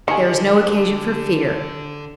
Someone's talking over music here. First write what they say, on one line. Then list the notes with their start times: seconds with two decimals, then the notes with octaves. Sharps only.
There is no occasion for fear.
0.08 D3 D#3 G4 G#5 C#7